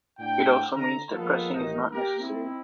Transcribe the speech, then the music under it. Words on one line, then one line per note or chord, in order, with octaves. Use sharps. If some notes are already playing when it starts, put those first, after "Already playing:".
It also means that pressing is not necessary.
A2 D4 F#5 G5
D3 A#5
F3 G#3 A#3 B3 A4 F5
A1 D#3 A#3 D#4
A#3 G4 A#4
C4 D#4 E4